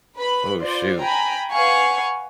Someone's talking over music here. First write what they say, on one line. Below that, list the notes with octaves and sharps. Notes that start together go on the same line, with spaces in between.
oh, shoot.
B4 B5
F4 C5 D5
G5 G#5 A#5 B5
B4 F5 F#5 G#5 C#6